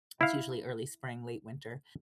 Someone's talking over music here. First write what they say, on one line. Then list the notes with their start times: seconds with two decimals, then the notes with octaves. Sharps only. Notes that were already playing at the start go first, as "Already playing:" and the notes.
it's usually early spring, late winter.
0.21 E4 F5